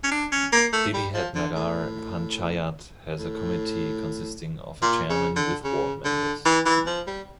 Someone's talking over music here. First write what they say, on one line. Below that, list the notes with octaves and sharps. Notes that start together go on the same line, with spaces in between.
Didihat Nagar Panchayat has a committee consisting of a chairman with ward members.
C#4
D4
C#4
A#3
A3
G3
F3
D3
A2
A2
A#2
C#3
D3
C#3
D3
E3
E3
F3
G3